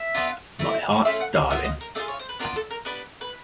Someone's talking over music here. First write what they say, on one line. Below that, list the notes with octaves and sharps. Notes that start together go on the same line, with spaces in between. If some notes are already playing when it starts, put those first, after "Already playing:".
My heart’s darling!
Already playing: E5
B3 D4 F4
A3 C4 E4
A3 C#4 F4 E5
F#5
F5
B3 D4 F4 E5
D#5
A#4
A3 D4 F4 G#4 A4
C#5
C5
B4
B3 D4 F4 A#4
A4
A#4
B3 D4 G4 B4
B4